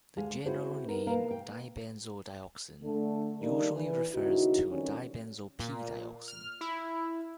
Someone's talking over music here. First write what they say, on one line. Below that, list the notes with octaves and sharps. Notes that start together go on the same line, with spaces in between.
The general name dibenzodioxin usually refers to dibenzo-"p"-dioxin.
D2 G#3 G#4 F5
C4 E4 F#4 G#4 C5
B3 D#4 A#4
B2 A#3 A#4 B4 F5
G5
D3 A3
D3 D#3 G3 A#3 D4 D#4
E3
D#2 C#3 D#4 E4 F#4
F2 D#3 G3 C#4
A#2
F6
E4